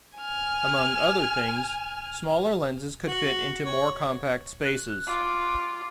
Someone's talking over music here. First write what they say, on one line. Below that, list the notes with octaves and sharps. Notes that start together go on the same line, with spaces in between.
Among other things, smaller lenses could fit into more compact spaces.
G#5 F6
F#4
C#5
F#6
F4 D6